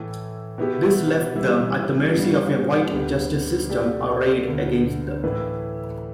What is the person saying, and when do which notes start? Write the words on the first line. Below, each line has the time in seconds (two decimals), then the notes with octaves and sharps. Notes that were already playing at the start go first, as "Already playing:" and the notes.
This left them at the mercy of a white justice system arrayed against them.
Already playing: A2 E3 A3
0.58 B2 B3 E4 G4
1.35 E3 G3 E4
2.13 G2 G3 B3
2.91 D2 D3 B3 G4
3.69 B2 A3 G4 D5
4.46 D2 D3 B3
5.23 A2 E3 A3 E4 B4